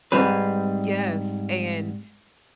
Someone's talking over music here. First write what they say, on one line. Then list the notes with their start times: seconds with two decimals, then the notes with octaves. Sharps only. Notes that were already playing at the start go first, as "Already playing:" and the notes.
Yes, and
0.12 G#2 G3 C4 B4